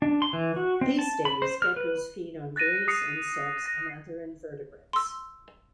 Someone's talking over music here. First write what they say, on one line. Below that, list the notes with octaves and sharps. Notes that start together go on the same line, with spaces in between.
These day geckos fed on various insects and other invertebrates.
D4
C6
E3
F#4
C4
A5
B5
C5
F6
B4
F#6 A6 A#6 D#7
D#6 C7 C#7
A#6
C6 E6